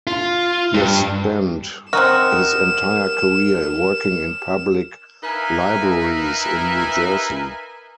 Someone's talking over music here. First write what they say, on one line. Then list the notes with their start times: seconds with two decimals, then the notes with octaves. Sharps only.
He has spent his entire career working in public libraries in New Jersey.
0.07 F4
0.74 G2
1.93 C4 D#4 F#4 A#4 D#6 F6 E7
5.23 D#4 A#4 B4 E5 F5 G#5